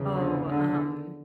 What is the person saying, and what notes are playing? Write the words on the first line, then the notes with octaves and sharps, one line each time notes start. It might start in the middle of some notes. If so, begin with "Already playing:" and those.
"Oh, um"
Already playing: E2 C#3
D3
D3